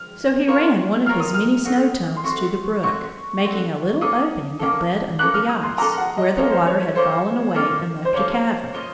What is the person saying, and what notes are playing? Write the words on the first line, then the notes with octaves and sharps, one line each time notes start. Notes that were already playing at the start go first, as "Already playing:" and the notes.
So he ran one of his many snow tunnels to the brook, making a little opening that led under the ice, where the water had fallen away and left a cavern.
Already playing: F6
F4 A#4 C#5
F4 A#4 C#5 F6
D#6
F6
A3 C4 F#4
C6
A3 C4 F#4 C#6
A3 C4 F#4 C#6
A3 C4 F#4
A#3 C#4 A4 D#6
A#3 C#4 A4
A#3 C#4 A4 F#6
F6
D#6
C6
A#3 C#4 A4 A#5
F#5
D#5
A#3 C#4 F4 A4 C#5
C5
C5
C#5
C#5
A#3 C#4 F4 A4 C5
A#3 C#4 F4 A4
C5
A#3 C#4 F4 A4 C#5
C#4 F4 A#4 D#5